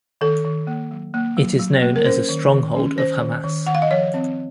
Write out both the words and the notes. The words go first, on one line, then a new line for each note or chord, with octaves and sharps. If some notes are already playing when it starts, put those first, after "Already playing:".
It is known as a stronghold of Hamas.
D#3 A4
D#3
A#3
F#3
A#3
F#3
F#3
A#3
A#4
C#4 C5
D#3
D#3
C#4
D#3 C5
D#3
D#3
D#3 F#5
F5
D#5
F3 C#5
C4